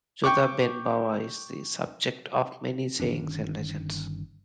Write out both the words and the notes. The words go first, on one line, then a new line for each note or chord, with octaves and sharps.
Judah ben Bava is the subject of many sayings and legends.
G5 C#6 D6
G1 D#3 C#4 D4